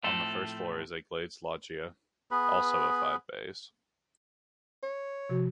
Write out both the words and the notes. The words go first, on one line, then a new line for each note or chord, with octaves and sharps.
On the first floor is a glazed loggia, also of five bays.
A2 F3 A3 C4 A4
B3 G#4 B4 B5
C#5
C3 F3 F#4